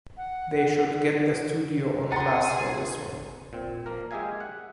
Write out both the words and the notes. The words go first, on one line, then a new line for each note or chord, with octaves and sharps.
They should get the studio on blast for this one.
F#5
G#4 F#5 A#5 C6 A6 C#7
A#2 C4
F3 A#3 A#4
G#3 G4 G#4 E5 F5 G#5
F#5